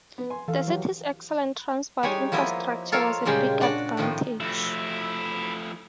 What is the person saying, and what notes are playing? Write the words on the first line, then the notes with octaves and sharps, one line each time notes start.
The city's excellent transport infrastructure was a big advantage.
B3
G#5 C6
E3 A4 F5
F#3 G4
G3 G#3 D#4 C#5 G#5
F3 A#3 B3 E4 D#5
F4 A4 A#4 C#5 F5
A#2 C#3 G3 G#3 G5
D4 F#4 D5
A2 D#3 F3 C4 D#5
F3 A3 E4 F#4